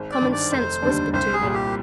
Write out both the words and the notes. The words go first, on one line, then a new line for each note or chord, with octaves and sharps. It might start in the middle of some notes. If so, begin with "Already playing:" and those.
Common sense whispered to me.
Already playing: G#1
D5
G2 D#3
D5
F1 C5
D#2 D3 G3 D4
C2 C5
G#4
A#2 G3
G4